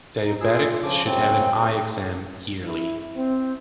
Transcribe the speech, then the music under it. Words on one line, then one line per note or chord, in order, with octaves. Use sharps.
Diabetics should have an eye exam yearly.
D#4
F4 G#4 E6
C#3 F3 D6
F#2 C#3 C4 G5
A3
E4
C4